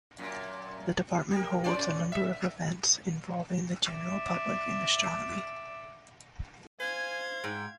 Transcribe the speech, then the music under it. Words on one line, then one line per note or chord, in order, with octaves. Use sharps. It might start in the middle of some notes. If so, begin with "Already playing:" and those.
The department holds a number of events involving the general public in astronomy.
F#2 A#2
G4 A#4
C#4 C5 D5
E5
D5 E5
C5 F5 G#5 G#6
G#2 G5